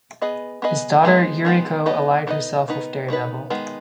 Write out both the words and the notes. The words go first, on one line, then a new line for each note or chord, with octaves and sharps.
His daughter Yuriko allied herself with Daredevil.
B3 G#4 B4 D#5
B3 G#4 B4 D#5
D#3 G#3 B3
D#3 G#3 B3
B3 D#4 B4 D#5
B3 D#4 B4 D#5
D#3 B3 D#4 B4
D#3 B3 D#4 B4
D#3 G#3 B3